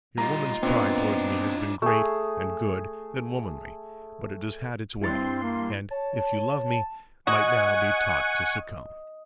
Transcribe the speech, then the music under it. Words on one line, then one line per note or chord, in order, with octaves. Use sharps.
Your woman's pride towards me has been great and good and womanly; but it has had its way; and, if you love me, might now be taught to succumb.
A#2 G3 D#4 F4 A#5
A#2 B3 C4 D4 E4
A3 G#4
G2 C4 E4 C6 A6 C7
A#3
C#5 A5
F#4 D#5 F#5 G#5 C#6